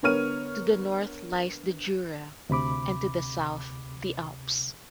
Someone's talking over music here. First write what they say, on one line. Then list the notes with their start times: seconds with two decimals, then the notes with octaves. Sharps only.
To the north lies the Jura and to the south the Alps.
0.03 D3 B3 A#4 C#5 F6 D#7
2.49 D2 C3 B5 D6